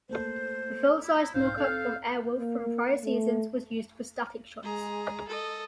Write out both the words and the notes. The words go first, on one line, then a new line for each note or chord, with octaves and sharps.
The full-sized mock-up of Airwolf from prior seasons was used for static shots.
A3 A#3 A4 C5
E4
B1 G#2 D#4 C5 F5 G6
C4 A4 F5
A#3
A3
G#3 G#4 A#5
A4 D#5